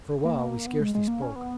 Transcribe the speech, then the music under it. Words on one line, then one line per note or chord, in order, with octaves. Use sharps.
For a while we scarcely spoke.
A#3
B3
G#3
G#3
A#3
C#4
B3